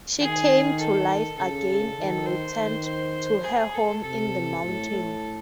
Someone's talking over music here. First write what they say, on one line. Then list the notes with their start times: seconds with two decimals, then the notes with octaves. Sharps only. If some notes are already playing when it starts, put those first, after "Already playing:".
She came to life again and returned to her home in the mountain.
0.20 D#3 G#4
0.78 A4
1.37 C#3 A4
1.97 D#3
2.26 C5
2.56 D#3
2.85 C5
3.44 G#4
3.74 A4
4.02 C3 A4
4.61 A2
4.91 A2